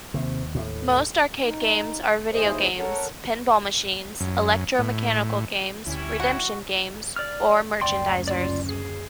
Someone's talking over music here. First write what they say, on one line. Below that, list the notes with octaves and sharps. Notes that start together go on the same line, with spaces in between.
Most arcade games are video games, pinball machines, electro-mechanical games, redemption games or merchandisers.
D#2 C3
A2
D#4
D#2 E4 G#4 C5 D#5
A4 A#4 C#5 F#5
F#2
A2
D2 G3 C#4 E4
F#4
D5 F6
F#1 D2 C#4 D5 G5 C6
F4 D5
G#4